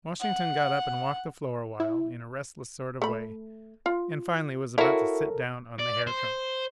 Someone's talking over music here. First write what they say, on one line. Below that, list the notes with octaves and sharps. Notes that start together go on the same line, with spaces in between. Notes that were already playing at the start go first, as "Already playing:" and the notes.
Washington got up and walked the floor a while in a restless sort of way, and finally was about to sit down on the hair trunk.
F#5
E4
A3 B5
F4
E4 F#4 A4 A#4 C#5 E5 F5
D5
C5